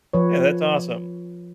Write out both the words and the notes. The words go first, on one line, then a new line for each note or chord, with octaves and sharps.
Yeah, that's awesome.
F3 B4 C#5